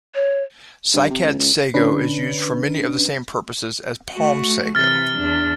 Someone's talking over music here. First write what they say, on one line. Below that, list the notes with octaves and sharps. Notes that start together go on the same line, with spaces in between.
Cycad sago is used for many of the same purposes as palm sago.
C#5
G2
C3
C#2
C#2
D3 C#4 D4 B4
A3 F#4
C3 E3 F6 A6
E2 D4